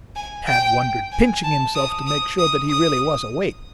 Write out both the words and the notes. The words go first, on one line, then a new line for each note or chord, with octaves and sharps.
Tad wondered, pinching himself to make sure that he really was awake.
G#5
G5
G#5
A5
D#6
D#6
D#6
D#6